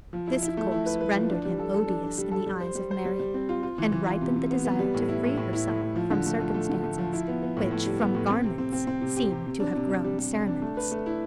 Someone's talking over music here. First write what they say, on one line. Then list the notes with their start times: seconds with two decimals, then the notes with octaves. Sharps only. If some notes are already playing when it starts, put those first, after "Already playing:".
This, of course, rendered him odious in the eyes of Mary, and ripened the desire to free herself from circumstances which from garments seemed to have grown cerements.
0.13 F3
0.27 E4
0.43 E4
0.57 A3
0.71 E4
0.86 B4
1.01 B4
1.15 F3
1.30 D4
1.45 G3
1.59 A4
1.74 A4
1.88 D4
2.03 D4
2.18 G3
2.32 A4
2.46 G3
2.61 C5
2.75 G3
2.91 C5
3.05 G3
3.19 G3
3.34 C4
3.49 F4
3.63 F4
3.78 E3
3.92 E3
4.06 F4
4.21 C3
4.36 C3
4.51 B3
4.65 B3
4.79 G3
4.94 A2
5.09 E4
5.24 A2
5.37 A2
5.53 E4
5.68 A2
5.81 A2
5.96 F3
6.11 D3
6.26 A3
6.40 F3
6.54 A3
6.69 D3
6.84 A3
6.98 F3
7.13 E4
7.28 B3
7.42 B3
7.57 A2
7.71 A2
7.86 G3
8.00 B3
8.15 A2
8.29 C4
8.44 C3
8.58 C4
8.72 C4
8.87 C4
9.02 C3
9.16 G4
9.31 C3
9.46 C3
9.60 D4
9.75 C3
9.89 D4
10.04 G3
10.18 G3
10.33 C3
10.47 D4
10.62 A3
10.77 B4
10.91 A3
11.06 E4